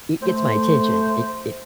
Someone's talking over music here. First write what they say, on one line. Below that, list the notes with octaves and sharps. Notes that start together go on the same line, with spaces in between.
it gets my attention. It it
A3 C5